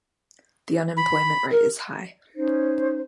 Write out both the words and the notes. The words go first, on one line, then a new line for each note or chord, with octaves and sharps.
The unemployment rate is high.
B5
A#4
C#4 D#4 C5